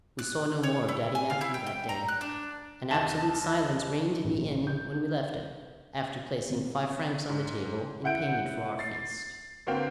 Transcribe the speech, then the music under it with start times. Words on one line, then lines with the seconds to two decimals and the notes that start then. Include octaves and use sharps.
We saw no more of Daddy Mathieu that day, and absolute silence reigned in the inn when we left it, after placing five francs on the table in payment for our feast.
0.19 F#6
0.63 C#5
0.88 E4
1.15 G#5
1.30 F5
1.41 E4
1.54 G5
1.66 G5
1.89 A#5
2.08 F#6
2.21 D4
2.91 D#2 A5 A6 E7
4.24 A#1
4.67 G6
6.50 C3
7.29 G#2
8.04 E4 F#5 G6 D7
8.79 A6 C7
9.67 G1 A#3 C4 F#4 F5 G5